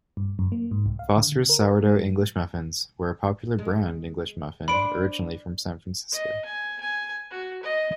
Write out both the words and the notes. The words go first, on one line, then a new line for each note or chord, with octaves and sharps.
Foster's sourdough English muffins were a popular brand English muffin originally from San Francisco.
G2
F#2
A#3
G#2
C2
F5
D3
D3
A#4
G#3
F#3
G#3
D4 C5 B5 D7
D#5
G#5
G#5
F#4
D#5